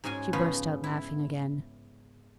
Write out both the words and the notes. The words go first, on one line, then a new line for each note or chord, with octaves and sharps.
She burst out laughing again.
G#2 G#3 C#4 F#4 G#5
C#3 F3 B3 F4 B4 C#5
E4